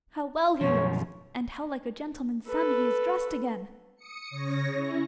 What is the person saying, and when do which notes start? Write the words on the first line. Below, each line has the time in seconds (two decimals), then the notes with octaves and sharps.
'How well he looks, and how like a gentleman's son he is dressed again!
0.61 F#2 B2 F3 C#5
2.48 A4 B4
3.96 D#6 C#7
4.30 C#3 C#5 A#6
4.74 C#4 E4